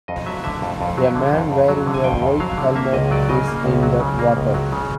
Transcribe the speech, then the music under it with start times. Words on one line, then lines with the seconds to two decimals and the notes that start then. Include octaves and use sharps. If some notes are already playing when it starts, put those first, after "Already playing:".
A man wearing a white helmet is in the water.
0.08 F2 D#5
0.26 F#3 E5
0.44 D3 E5
0.62 F2
0.81 F2
0.97 F#3
1.15 D3
1.33 F2
1.52 F2
1.68 F#3
1.87 D3
1.94 G#5
2.04 F2 G5
2.22 F2
2.40 F#3 F5
2.58 D3
2.76 A#3 E5
2.93 C#2 D#5
3.11 F#3 D5
3.29 C#3 D#5
3.48 A#3
3.64 C#2
3.83 F#3
4.00 C#3
4.19 A#3
4.37 C#2
4.54 F#3
4.72 C#3